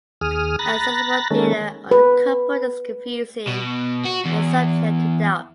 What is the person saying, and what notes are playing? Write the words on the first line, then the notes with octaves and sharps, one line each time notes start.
Accessible data on the couple is confusing and subject to doubt.
D#2 G#4 D#6 F6
A#5 B5 F#6 A6 A#6
D#3 G#3 A#3 C#4 A4
B4
B2
F#4
E2